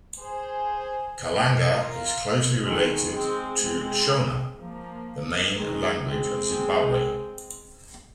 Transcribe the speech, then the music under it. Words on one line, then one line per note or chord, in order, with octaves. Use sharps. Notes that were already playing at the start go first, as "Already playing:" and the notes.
Kalanga is closely related to Shona, the main language of Zimbabwe.
G#4 C5
F4 A#4
D#3 G#3
G#3 C4
G#3 C4
F3 A#3
D#3 G#3
G#3 C4